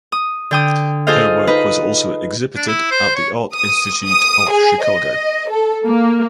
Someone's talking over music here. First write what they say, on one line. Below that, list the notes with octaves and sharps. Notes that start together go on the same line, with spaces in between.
Her work was also exhibited at the Art Institute of Chicago.
D#6
D3 G5 D#6
F4 G#4 A4 C5 D#5 F5
D#4 B4 D#5
D4
E4
C5
C#5
D#6
D#6
G#4
D#5
A4
A#3